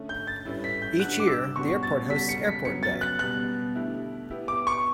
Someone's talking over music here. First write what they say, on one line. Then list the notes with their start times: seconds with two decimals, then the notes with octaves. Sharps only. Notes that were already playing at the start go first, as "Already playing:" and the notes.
Each year, the airport hosts Airport Day.
Already playing: D3 A3 C#4
0.09 G6
0.27 A6
0.45 A2 G3 C#4 E4 B4
0.64 B6
0.82 G6
1.00 D3 G3 D4 F#4 F#6
1.20 D6
1.27 E6
1.56 B2 G3 C#4 F#4 C#6
1.83 A6
2.10 C#3 G3 C#4 F#4 A4 B6
2.29 C#7
2.47 B6
2.65 C#3 F#3 B3 C#7
2.83 A6
3.01 F#6
3.19 B2 G3 B3 F#6
3.75 D3 A3 E4 G4
4.30 B3 E4 G4
4.48 D6
4.67 C#6